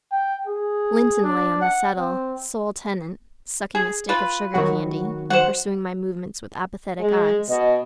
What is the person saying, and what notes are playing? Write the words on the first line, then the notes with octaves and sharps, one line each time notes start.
Linton lay on the settle, sole tenant, sucking a stick of sugar-candy, and pursuing my movements with apathetic eyes.
G5
G#4
D4
F#5
C4
G#4
F4 B4
D#3 F#3 F#4
C5 F#5
G#3
B2 D#5